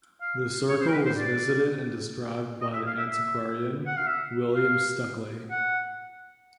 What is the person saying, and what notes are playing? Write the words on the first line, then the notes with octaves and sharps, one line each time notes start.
The circle was visited and described by the antiquarian William Stukeley.
F5
C#5
C5
A#4
B4
C5
D5
D#5
E5
F5
E5
E5
F#5
F5
E5
F5
F#5